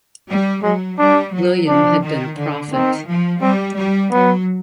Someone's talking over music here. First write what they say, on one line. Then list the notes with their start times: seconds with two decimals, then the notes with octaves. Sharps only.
William had been a prophet.
0.29 G3
0.63 F#3 G#3
0.98 G3 D4
1.33 F#3
1.67 F3 D4
2.03 D#3
2.37 D3
2.72 D#3 C4
3.07 F3
3.41 G3 C4
3.77 G3
4.11 F#3 B3